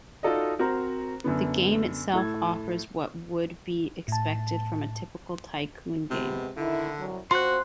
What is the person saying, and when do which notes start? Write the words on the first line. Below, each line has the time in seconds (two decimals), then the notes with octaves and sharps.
The game itself offers what would be expected from a typical tycoon game.
0.23 D#4 F4 F#4 A4 D5 D#5
0.59 C4 F#4 A#4 C5 A#5
1.24 F#2 D3 B3
2.13 A2 A4 G#6
4.08 A2 A5
6.10 C3 G#3 B3
6.57 D3 D#3 E4
6.99 C2 F#3
7.31 F3 C4 F#4 C5 C6 F#6